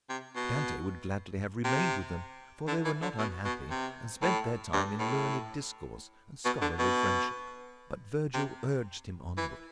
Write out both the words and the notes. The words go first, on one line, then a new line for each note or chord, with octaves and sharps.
Dante would gladly have remained with them, for they were not unhappy and spent their time in learned discourse and scholarly friendship, but Vergil urged him onward.
C3
B2
C3
D3
E3
D3
B2
B2
C3
A2
G2
A2
B2
D3
B2
C3
E3